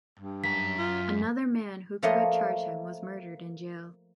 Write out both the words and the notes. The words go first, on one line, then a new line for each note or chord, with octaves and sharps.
Another man who could charge him was murdered in jail.
G2
F#2 A#5 B6
F4
F3 A3 A#3 C#5 D#5